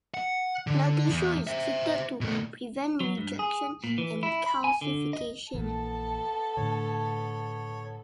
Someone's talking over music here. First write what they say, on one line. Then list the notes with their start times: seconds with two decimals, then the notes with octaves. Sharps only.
The tissue is treated to prevent rejection and calcification.
0.14 F#5
0.67 D3
1.10 E2
1.47 C5 E5
2.21 B2 A3
3.00 F#3
3.17 G2
3.39 G#4
3.84 A#2
3.98 E3
4.23 E4
4.46 B5
4.64 G#5
4.81 D3
5.13 D#5
5.53 A#1 A#2 E3 B3 A4 A5
6.57 A2 D3 C#5